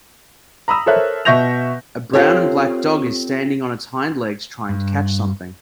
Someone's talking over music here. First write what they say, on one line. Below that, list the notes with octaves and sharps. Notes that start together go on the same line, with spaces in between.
A brown and black dog is standing on its hind legs trying to catch something.
A#5 B5 D#6 E6
A4 A#4 C5 C#5 E5 F#6
B2 E5 C#6 G6 A#6 F7
C4 F4 G4 A4 C5 C#5
G2